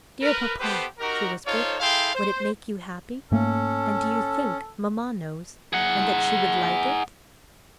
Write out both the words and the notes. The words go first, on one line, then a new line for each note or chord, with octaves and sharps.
"Dear papa," she whispered, "would it make you happy? and do you think mamma knows, and that she would like it?"
A#4 B4
B3 G4 A4 B4 C5
D#4 F#4 G4 A#4
D#4 F4 A4 C5 C#5
E4 G#4 A4 F5 G5 C6
C5
G#2 A3 A#3 C#4 A4
G#4 F#5